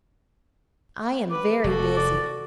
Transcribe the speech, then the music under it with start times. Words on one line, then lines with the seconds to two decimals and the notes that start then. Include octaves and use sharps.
I am very busy.'
1.31 B4 D6
1.64 F1 F#4 A4
1.97 D5